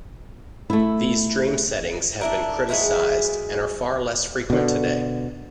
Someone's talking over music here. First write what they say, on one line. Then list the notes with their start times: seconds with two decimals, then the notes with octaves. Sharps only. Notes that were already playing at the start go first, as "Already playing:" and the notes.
These dream-settings have been criticized, and are far less frequent today.
0.70 A3 E4
2.21 D4 E4 A#4
2.69 F#3 G#3 E4 G#4
4.50 B2 D3